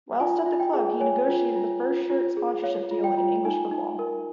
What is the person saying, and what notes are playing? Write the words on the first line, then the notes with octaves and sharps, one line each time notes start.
Whilst at the club he negotiated the first shirt sponsorship deal in English football.
F4 G#5
F4
G5
G#4
C#5 G#5
F4
F4
F4
F4
G#4
C#5 F5
F4
G5
F4
D#4 G#5
D#4
A#4